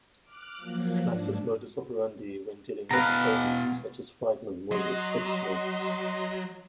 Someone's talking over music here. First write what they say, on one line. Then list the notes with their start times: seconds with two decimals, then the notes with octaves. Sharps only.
Klass's modus operandi when dealing with opponents such as Friedman was exceptional.
0.23 D6 F6 F#6
0.56 F3 F#3 A#3
0.99 G#2 D4
2.91 B2 B4 F5 A#5
4.71 F#3 D#5 C6